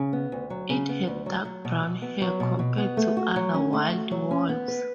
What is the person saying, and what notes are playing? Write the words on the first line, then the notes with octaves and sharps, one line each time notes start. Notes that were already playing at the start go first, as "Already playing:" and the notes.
It had dark brown hair compared to other wild wolves.
Already playing: C#3
B3
D2
F#3
C#3
B3
D2
F#3
F#3
B2
B2
B3
F#3
B2
B2
B3
A3
F#4
F#3
C#4
A3
F#4
F#3
C#4
B3
B4